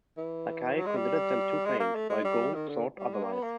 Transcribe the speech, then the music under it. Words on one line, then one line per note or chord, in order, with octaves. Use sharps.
Lacaille considered them too faint, while Gould thought otherwise.
E3
F#3
G#3
G3
G#3
A#3
A3
G#3
G3
D#3
D3
G3
G#3
A#3
B3
A#3